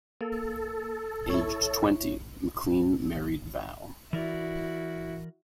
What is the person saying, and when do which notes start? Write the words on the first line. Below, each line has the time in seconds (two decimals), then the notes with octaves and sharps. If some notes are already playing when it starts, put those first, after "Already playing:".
Aged twenty, McLean married Val.
0.21 A#3 A4
1.30 E4 C#5
4.13 E3 E4 F#4 A#4 D5